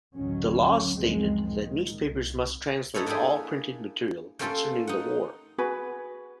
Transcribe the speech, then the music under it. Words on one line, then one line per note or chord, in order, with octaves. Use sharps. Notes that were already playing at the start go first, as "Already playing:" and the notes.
The laws stated that newspapers must translate all printed material concerning the war.
A1 D2 D#3 F#3 C#4
C#2 F#2 D#3 F3 G#3 C4
A#2 D#3
C2
D#4 E4 A4 B4 C#5
A#3 D4 E4 G4 G#4
A3 A#3 C#4 F4 G4 A4
D#4 F#5
F#4 G#4 B4